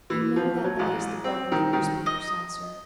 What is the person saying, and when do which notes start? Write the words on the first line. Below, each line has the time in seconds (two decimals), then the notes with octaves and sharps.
You know that that is the work of the newspaper censor.
0.10 E3
0.36 F3
0.64 F#3
0.79 A1
1.24 C4
1.52 D#3
1.73 D#3
2.06 D#5